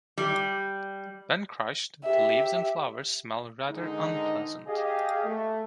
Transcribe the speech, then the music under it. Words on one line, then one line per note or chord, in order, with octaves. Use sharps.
When crushed, the leaves and flowers smell rather unpleasant.
G3
G4 E5
G#2 D3 D#3 G#3 D#4
G4 G#4 D#5 F5
A3